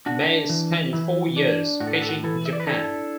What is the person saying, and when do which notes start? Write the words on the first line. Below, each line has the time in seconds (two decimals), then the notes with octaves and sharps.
May spent four years pitching in Japan.
0.06 D4 F#4
0.49 E3
0.93 E3 E4
1.37 D4
1.80 A2 F#4
1.87 A4
1.94 F#4
2.02 A4
2.09 F#4
2.24 E3 E4 A4
2.46 E5
2.53 D5
2.60 B4
2.67 D4 E4 A4